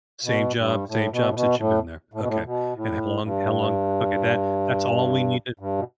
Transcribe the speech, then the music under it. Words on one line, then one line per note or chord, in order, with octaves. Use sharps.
Same job same job since you've been there. Okay. And how long how long, okay. That that's all we need t
B2
G2
A2
B2
A2
B2
A2
A2
B2
A2
B2
A2
G2
G2
B2